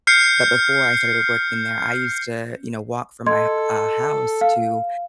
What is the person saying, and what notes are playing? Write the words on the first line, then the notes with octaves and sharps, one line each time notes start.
but before I started working there I used to, you know, walk from my h uh, house to
F6 G6 C7 C#7
A4 D#5 C6 G#6
F5